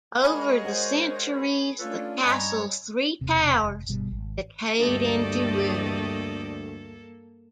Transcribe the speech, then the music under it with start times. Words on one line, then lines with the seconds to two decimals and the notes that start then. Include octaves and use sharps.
Over the centuries, the Castle's three towers decayed into ruin.
0.23 G#3 F#4 G#4 A#4 C#5 D#5 G#5 B5
0.65 C5 F#5
1.32 G#4 B4
1.79 A3 C#4 D4 F4 A4 B4 C#5
2.23 G2 C#5 D#5 G#5 A#5 B5
3.21 E1 C3
3.63 F1
3.89 G1 B2 G3
4.11 G#1
4.79 D2 G2 A3 A#3 G4 A4 D5 D#5